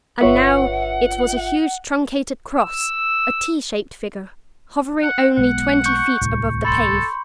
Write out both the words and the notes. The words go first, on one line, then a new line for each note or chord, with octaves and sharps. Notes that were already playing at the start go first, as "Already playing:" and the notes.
And now it was a huge truncated cross, a T-shaped figure, hovering only twenty feet above the pave.
G1 F4 B4 C#5 E5 F#5
E6
F#5
B1 G#3 B3 F#5
C#6 G6 C#7
D1 C2 A2
A4 B5 C6